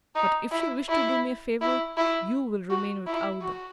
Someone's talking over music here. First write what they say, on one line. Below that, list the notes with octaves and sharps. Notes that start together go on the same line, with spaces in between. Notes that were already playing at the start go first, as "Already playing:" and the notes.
But if you wish to do me a favour, you will remain with Aouda.
D#4
E4
E4
E4
E4
F#4
E4
F#4